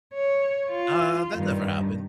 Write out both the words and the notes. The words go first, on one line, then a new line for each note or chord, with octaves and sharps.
"Uh, that never happened."
C#5
F4
G2 D#3